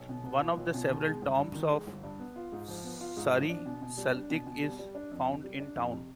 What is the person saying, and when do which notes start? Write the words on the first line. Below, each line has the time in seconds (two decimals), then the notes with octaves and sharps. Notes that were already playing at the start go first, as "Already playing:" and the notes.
One of the several tombs of Sari Saltik is found in town.
Already playing: B1
0.09 B2
0.26 B3
0.42 F4
0.57 B1
0.74 B2
0.90 D#3
1.06 G#3
1.22 G1
1.38 G2
1.55 D#3
1.71 G#3
1.87 G1
2.03 G2
2.19 B3
2.36 F4
2.52 G#2
2.68 F3
2.84 B3
3.01 F4
3.17 G#2
3.33 F3
3.49 D4
3.66 B2
3.82 B2
3.97 G3
4.13 D4
4.30 B2
4.47 B2
4.63 G3
4.79 G3
4.95 D4
5.11 F2
5.28 C3
5.44 G3
5.60 D4
5.76 F2
5.92 C3